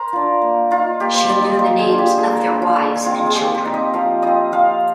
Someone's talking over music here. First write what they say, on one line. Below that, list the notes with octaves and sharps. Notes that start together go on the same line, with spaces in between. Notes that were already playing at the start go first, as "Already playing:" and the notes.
She knew the names of their wives and children.
Already playing: A#4 C5
D4 F4
A#3
D#4 F4
A#3 G4
C5
D#4 D5
D#5
A#3 C5
G#4
D4 F4
G4
A#3 G#4
A#4
D4 F4
F4
G#3 G#4
C4 D#4 F4
G#4
G#3 G4
G4
C4 D#4
D#5
F3 F5
C4 F4 D#5
F3 F5